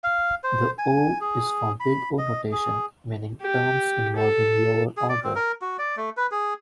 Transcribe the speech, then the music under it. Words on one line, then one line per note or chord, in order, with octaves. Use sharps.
The "O" is for big O notation, meaning "terms involving lower order".
F5
C5
G#5
G#4
B5
D#5
G#4
G4
A4
G#4
D5
C4
A#4
F#4
D5
A3
B4
G#4